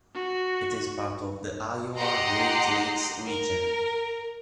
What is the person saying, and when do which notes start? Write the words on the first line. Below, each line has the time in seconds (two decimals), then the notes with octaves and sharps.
It is part of the Iowa Great Lakes region.
0.15 F#4
1.97 G4 D#5 F#5 A#5 C6
3.25 A#4